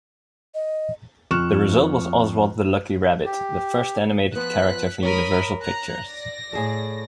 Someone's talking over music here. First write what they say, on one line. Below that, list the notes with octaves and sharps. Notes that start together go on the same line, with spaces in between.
The result was Oswald the Lucky Rabbit, the first animated character for Universal Pictures.
D#5
F2 C#6 F6 F#6 E7
G4
F3 B3 F#6 B6
A#4 C#5 B5 D#6
A#5 F#6
D5 A#6
A2 G#4 A4